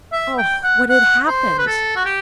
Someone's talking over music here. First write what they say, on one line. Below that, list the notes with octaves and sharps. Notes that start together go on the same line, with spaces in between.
Oh! what had happened?
E5
G5
F#5
F#5
C5
B4
A4
F#4
G4